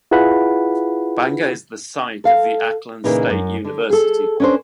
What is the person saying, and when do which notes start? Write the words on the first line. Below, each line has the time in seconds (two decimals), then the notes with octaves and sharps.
Banga is the site of the Aklan State University.
0.11 E4 F4 G#4 B4 F#5 B5
2.24 A4 F5
3.04 A#2 C#3 E3 D#4
3.30 F#2
3.65 D3
3.90 G#4 A4
4.40 C#4 D4 C5